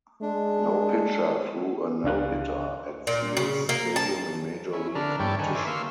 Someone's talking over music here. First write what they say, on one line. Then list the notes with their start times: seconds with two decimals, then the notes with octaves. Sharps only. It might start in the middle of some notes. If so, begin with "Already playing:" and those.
No pitcher threw a no-hitter at Seals Stadium in Major League competition.
0.22 G#3 D4
2.04 C#2 D4 F5 F#6
3.07 A#2
3.37 C#3
3.69 A#3
3.96 A5
4.73 C#4 E4
4.95 D3 D4 A#4 B5 F6
5.20 G2 G3 E4 C#5 G5 A5
5.39 D3 D#3 G#4 B4 C#5
5.55 A#4 C5 D5 E5 G#5
5.67 A#3 C6 C#6 E6 F6